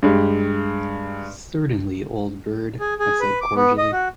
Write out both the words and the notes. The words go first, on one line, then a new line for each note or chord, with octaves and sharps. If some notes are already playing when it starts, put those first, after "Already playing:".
"Certainly, old bird," I said cordially.
G2 G#3 G4
G#4
G#4
B4
D6
B3
D#5
F#4